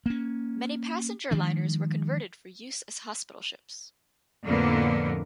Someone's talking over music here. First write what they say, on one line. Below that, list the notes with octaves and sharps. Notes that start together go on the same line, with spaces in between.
Many passenger liners were converted for use as hospital ships.
A#3 C#4
D#3 F3 G#3 D4
F2 A2 D3 A#3 B3